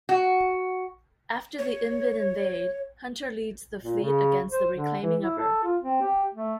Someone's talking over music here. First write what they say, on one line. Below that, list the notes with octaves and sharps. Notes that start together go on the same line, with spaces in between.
After the Invid invade, Hunter leads the fleet against the reclaiming of Earth.
F#4
C#5
A#2
C#3
C5
D3
E3
E4
A4
F4
C4
G4
A3